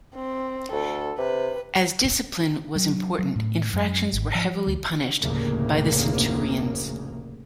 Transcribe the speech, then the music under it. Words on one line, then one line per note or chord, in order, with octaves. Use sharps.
As discipline was important, infractions were heavily punished by the centurions.
C4
D2 A4
C3 B4
F#3
F#3
A2
F#2
G#1
F3
D2
F1 D2 A2 C#3 A#3